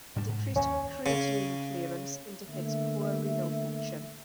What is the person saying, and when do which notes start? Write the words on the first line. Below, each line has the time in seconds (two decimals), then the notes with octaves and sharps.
A decreased creatinine clearance indicates poor renal function.
0.16 G#2 G3 D4
0.28 G#2
0.56 D#2 C#4
1.06 C#3
2.49 D3 A3 A#3 E5